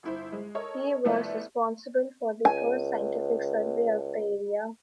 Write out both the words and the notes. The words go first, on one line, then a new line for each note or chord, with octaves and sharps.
He was responsible for the first scientific survey of the area.
G1 E4 C5
G#3
A4 A#4 C#5 D#5
C2 F3 A3 B3 D5 E5
C#2 G#5